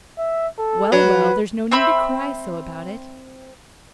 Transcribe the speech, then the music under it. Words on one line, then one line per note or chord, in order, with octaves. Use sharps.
"Well, well, there's no need to cry so about it."
E5
A4
F#3 B4
C4 E5 B5 E6